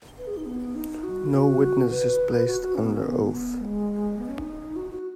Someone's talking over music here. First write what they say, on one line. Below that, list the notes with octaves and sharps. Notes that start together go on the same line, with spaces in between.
No witness is placed under oath.
B4
G#4
D#4
B3
D#4
F#4
F#4
B4
F#4
F#4
C#4
B3
C#4
B3
B3
G#3
B3
C#4
D#4
F#4
F#4